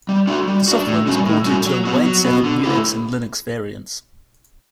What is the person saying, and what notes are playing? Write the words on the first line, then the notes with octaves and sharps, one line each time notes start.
The software was ported to a wide set of Unix and Linux variants.
G3
D4 F#4
G3
D4 F#4
A2
G3 C#4 F#4
A2
G3 C#4 F#4
F#3
B3 F#4
F#3
B3 F#4
D3
A3 E4 G4